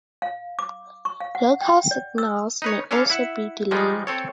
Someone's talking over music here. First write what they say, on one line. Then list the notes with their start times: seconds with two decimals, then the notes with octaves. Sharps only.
Local signals may also be delayed.
0.22 F5
0.59 D6
1.05 C#6
1.20 F5
1.35 F#5
1.61 G5
1.91 D5
2.18 E6
2.62 D#4 B4 C#5
2.91 C#4 D4 A4 C#5 F5
3.10 E4 E5 F#5
3.71 F3 G3 G#3 D#4
4.07 C4 A4 C#5